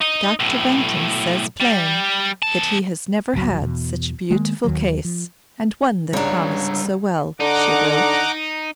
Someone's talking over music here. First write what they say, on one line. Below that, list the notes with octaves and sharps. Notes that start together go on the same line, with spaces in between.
"Doctor Benton says plain that he has never had such a beautiful case and one that promised so well," she wrote.
D#4 D#5
B1 A2
G3
E2 A5
G#1 C#2 B2 F#3
E2 B2
D#3 G#3 A#3
D#2 D#3 F#3
F3
C#2 G#2 G3 D4 C#5 A#5
D3 D#4 F#5 A#5 D6